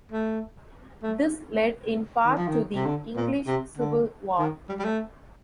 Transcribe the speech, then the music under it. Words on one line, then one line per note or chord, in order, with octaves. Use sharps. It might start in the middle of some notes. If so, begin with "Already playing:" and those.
This led in part to the English Civil War.
A3
A3
D#3
F3
D#3
C3
D3
A#2
C3
D3
D#3
G3
G3
A3